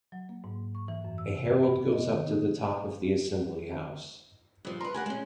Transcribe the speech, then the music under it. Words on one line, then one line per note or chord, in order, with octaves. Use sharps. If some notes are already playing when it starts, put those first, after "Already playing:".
A herald goes up to the top of the assembly-house.
F#3
A#3
G#2
C#6
E3
F#2
E6
C3
B3
D#5
D#3
D#4
G2 F3
A#4 B4 A#5 C6
G4 A#4 F#5 G#5
G#3 C#4